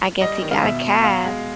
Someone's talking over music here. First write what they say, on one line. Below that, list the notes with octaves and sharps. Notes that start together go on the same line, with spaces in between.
I guess he got a cab
G3 D#5
D#3
F5
B2 E5
B2
B2 F5
G#3